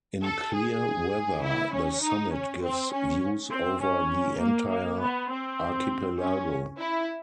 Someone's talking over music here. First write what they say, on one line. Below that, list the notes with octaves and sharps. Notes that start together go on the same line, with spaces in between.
In clear weather the summit gives views over the entire archipelago.
A4
G#4
E4
C#4
D#4
C#4
C4
C#4
C4
C#4
A#3
A#3
B3
C4
C#4
E4